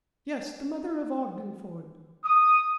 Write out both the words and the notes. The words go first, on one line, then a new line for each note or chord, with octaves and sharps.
Yes, the mother of Ogden Ford.
D#6